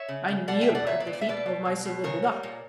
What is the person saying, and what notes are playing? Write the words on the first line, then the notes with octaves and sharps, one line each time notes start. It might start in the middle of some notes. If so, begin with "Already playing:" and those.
I kneel at the feet of my silver Buddha.
Already playing: C#5 E5
C#3
C#3
B2 D5 F#5
E5 G5
B2
D5 F#5
A#2 C#5 E5
B4 D5
A#2
D5
E5
B2 B4 D5
B2
B2
B2
C#3 A#4 C#5
G3
A#2